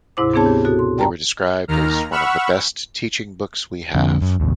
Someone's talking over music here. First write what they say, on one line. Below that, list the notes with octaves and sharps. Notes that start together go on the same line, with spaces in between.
They were described as "one of the best teaching books we have".
D2 G#2 C3 E4 C5 D6
B3 C4 D4 G#4 C#5 A5
G4
B2 F#4 A4
C6
D5 G5 A5 A#5
D#2 D#3 A#5 F6
F#5 B5 C#6 E6 F6
F2 D3
F#2
A1 D#2